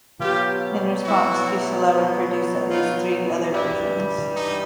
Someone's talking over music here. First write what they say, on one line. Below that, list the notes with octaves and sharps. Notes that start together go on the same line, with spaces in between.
In response, Fuseli produced at least three other versions.
B2 F#3 F4 G4
E4 F#4
D#4 F4
G2 E3 G3 D4 E4
D#4